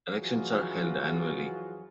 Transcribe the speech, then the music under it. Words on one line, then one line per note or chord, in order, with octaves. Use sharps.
Elections are held annually.
F2 E3 F#3 F4 F#4 G#4